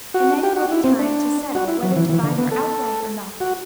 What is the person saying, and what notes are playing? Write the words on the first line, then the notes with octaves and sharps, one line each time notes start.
And then it will be time to settle whether to buy her outright or not.
F#4
G4
F#4
E4
C4
D4
F#4
E4
F#3
E3
E3
D3
B3
A4
F#4